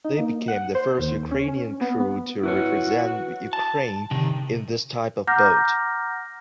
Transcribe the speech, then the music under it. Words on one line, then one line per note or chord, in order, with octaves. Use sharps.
They became the first Ukrainian crew to represent Ukraine in this type of boat.
D#4
A#3
F#5
C5
D#2
C#4
C#4
B3
B3
E4 F#4 B4 C#5
A5
C3 D#3
F#5 A#5 D6 F6 G6 A#6